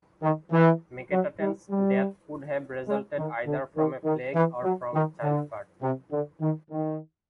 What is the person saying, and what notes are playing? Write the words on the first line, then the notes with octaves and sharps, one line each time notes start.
Meketaten's death could have resulted either from a plague, or from childbirth.
D#3
E3
F#3
G3
G3
G#3
D#3
D3
D#3
D#3
E3
F#3
D#3
D3
C3
D3
D#3
D#3